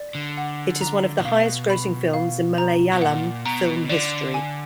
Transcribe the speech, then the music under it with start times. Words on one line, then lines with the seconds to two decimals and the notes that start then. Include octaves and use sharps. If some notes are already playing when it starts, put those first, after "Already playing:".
It is one of the highest-grossing films in Malayalam film history.
Already playing: D5
0.15 D3
0.37 F#5
0.81 A#5
1.19 A#2
1.25 B2 F5
1.70 B5
2.14 F5
2.58 A#5
2.93 B2
3.02 A#2 F#5
3.45 B2 A#5
3.89 D3 D5
4.34 G#5